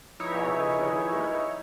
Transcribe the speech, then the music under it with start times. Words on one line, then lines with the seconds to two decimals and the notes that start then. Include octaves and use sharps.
How are things going at work?
0.20 F3 D#4 E4 G#4 B4 C#5